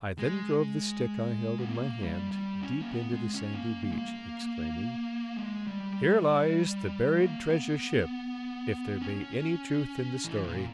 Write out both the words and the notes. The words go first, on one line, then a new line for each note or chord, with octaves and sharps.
I then drove the stick I held in my hand deep into the sandy beach, exclaiming, "Here lies the buried treasure-ship, if there be any truth in the story."
G#3
B3
A#3
G3
G3
C#4
A#3
B3
G#3
C#4
A#3
A#3
G#3
A#3
G#3
G3
A#3
B3
C#4
E3
A#2